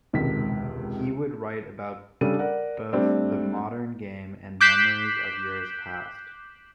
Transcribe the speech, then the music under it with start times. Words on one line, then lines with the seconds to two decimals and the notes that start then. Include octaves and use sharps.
He would write about both the modern game and memories of years past.
0.13 E1 C#2 C3 D#3 B6
2.21 C#3 G3 D4 A4 D#7
2.39 A#4 D5 F#5
2.93 G3 A3 C4 D4
4.61 D6 F#6 G6 B6 C7 E7